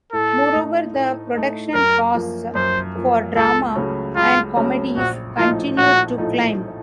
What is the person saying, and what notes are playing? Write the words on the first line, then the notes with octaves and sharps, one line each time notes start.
Moreover, the production costs for drama and comedies continued to climb.
A2 A4
A3 D#4
A2
A3 D#4
F#2 A#4
F3 A#3
F#2 C5
F3 A#3
C#2 A4
C#3 F#3 A3 C#4
C#2 F4
C#3 F#3 A3 C#4
A#1 F#4
A2 F3 A3 D#4 F4
A#1 F#4
A2 F3 A3 D#4